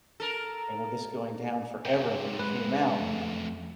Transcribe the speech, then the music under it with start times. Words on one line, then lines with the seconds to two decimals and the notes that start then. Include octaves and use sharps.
and were just going down forever, and when you came out,
0.20 A4 A#4
1.85 F#2 C3 A#4 G5
2.39 G#3 B4
3.00 F2 A3